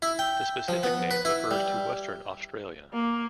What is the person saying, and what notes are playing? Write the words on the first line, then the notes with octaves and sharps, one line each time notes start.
The specific name refers to Western Australia.
E4
G5
F3
B3
B4
E4
G3
A#3